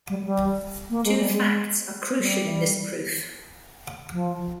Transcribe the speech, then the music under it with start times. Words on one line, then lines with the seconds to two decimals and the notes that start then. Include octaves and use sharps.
Two facts are crucial in this proof.
0.10 G3
0.22 G#3
0.25 G3
0.90 A#3
1.05 G#3
1.18 G3
1.32 G#3
2.19 G3
4.13 F3